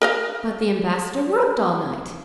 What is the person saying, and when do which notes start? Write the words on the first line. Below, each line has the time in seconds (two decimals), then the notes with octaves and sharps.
"But the ambassador worked all night?"
0.02 A#4 D#5 F5